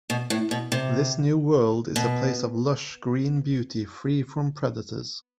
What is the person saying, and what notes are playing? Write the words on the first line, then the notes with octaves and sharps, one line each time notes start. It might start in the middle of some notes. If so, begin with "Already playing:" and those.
This new world is a place of lush green beauty free from predators.
B2
A2
B2
C3
B2